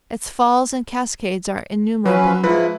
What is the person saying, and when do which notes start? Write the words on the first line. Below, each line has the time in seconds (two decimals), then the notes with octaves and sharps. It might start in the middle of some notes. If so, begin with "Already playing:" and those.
Its falls and cascades are innumerable.
2.06 F#3 C#4 B4
2.43 G#2 F3 E4 B4